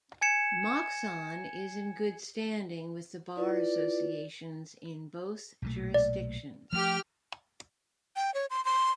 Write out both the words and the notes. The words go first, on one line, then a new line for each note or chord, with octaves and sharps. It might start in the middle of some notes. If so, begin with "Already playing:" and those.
Moxon is in good standing with the bar associations in both jurisdictions.
G#5 G#6 C#7 E7
E4 F4 B4 D5
B1 A#2 A3
D5
F3 A3 G4 F6
G5
C#5
C6
C6